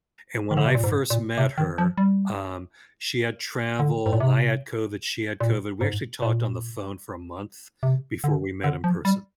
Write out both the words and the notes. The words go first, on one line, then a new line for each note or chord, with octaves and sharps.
and when I first met her, um, she had travel I had COVID; she had COVID, we actually talked on the phone for a month before we met in person.
D#3
D3
C3
A#2
G#2
A#2
C3
D#3
F3
G3
D3
G#2
A#2
C3
A#2
G#2
A#2
C3
D3
D3
F3
G3